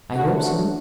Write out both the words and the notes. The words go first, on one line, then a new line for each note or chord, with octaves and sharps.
"I hope so."
F#2 D3 A3 D4 F#4
F#4